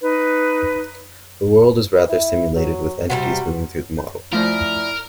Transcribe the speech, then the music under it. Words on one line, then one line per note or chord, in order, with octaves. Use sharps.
The world is rather simulated with entities moving through the model.
D#4 B4
E4
F#3
C3 E3 G3 F#4
F3 A3 E4 A#4 D5 F6